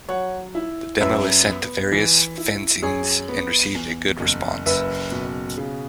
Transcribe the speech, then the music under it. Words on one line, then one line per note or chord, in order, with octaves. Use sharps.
The demo is sent to various fanzines and received a good response.
F#3 C#5 F#5
E4
F#2 B4 E5
B3
E3
E4
F#2 G#4 C#5
B3
E2
F#1
F#1 B4 E5
B2
C#3